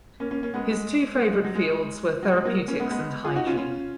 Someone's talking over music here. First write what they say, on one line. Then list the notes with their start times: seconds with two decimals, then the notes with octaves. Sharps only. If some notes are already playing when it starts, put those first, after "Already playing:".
His two favourite fields were therapeutics and hygiene.
0.20 A#3 C#4
0.31 A#3 C#4
0.43 A#3 C#4
0.54 G#3 B3
0.70 G#3
1.14 A#3
1.22 G#3
1.33 G#3
1.45 F#3
1.55 G#3
2.23 F#3
2.34 G#3
2.45 F#3 A#3
2.68 A#3 C#4
2.80 G#3 B3
2.90 G#3 B3
3.25 F4 G#4
3.36 D#4 F#4
3.46 C#4 F4
3.57 C#4 F4